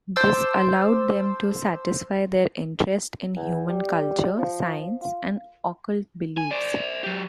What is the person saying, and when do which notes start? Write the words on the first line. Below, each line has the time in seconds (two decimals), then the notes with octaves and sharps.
This allowed them to satisfy their interest in human culture, science, and occult beliefs.
0.16 C5 A5 D6 E6
3.36 E2
3.69 G3
4.38 F3
5.02 F4
6.37 G#5
6.51 C5 D5
7.04 F#3 G4